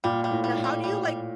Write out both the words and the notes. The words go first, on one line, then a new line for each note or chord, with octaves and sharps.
Now how do you, like,
A#2 G3
G3
A2
G3
A2
G3
G3
G3